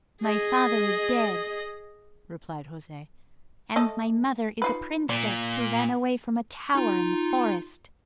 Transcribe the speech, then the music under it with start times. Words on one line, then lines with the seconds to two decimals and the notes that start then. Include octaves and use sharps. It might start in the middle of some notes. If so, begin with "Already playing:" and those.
"My father is dead," replied Jose, "and my mother is a princess who ran away from a tower in the forest."
0.23 G#4 D#5
3.76 A3 A4 D#5
4.62 D#4 F4 B4
5.09 A#2 D5
6.75 D#4 F4